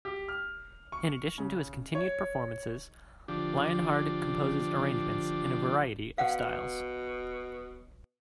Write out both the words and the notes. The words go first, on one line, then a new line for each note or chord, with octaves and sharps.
In addition to his continued performances, Lienhard composes arrangements in a variety of styles.
G4
F6
C#6
C#3
C#5
D3 F3 D4 G4
B2 F5 F#5